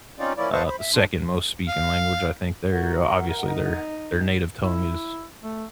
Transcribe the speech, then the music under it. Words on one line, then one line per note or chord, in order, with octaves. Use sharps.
uh, the second most speaking language. I think there obviously their their native tongue is
C4 C#4 D#4 F4 D5
F3 A#3 C#4 E4 D5
B4 C5 D#5 F5 A5 C#6
C5 B5
E5
G#2 E3 D4 C6
F5
F#4 A#4 E5 F#5
D#4
E4
A3